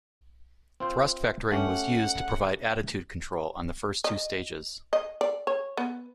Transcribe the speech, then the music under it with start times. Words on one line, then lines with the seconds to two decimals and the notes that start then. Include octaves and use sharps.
Thrust vectoring was used to provide attitude control on the first two stages.
0.80 C4 F4 C5
1.52 A3 C#4 G4 F#5
4.04 D#5
4.93 D#5
5.21 D5
5.47 C#5
5.77 B3